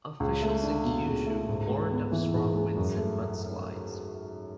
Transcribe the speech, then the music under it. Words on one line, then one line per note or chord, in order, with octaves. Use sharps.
Officials in Kyushu warned of strong winds and mudslides.
C#2
A3
D4
B2
C#2
A3
G#2
G#3
B3
E3
G#2
G#3
F#2
A3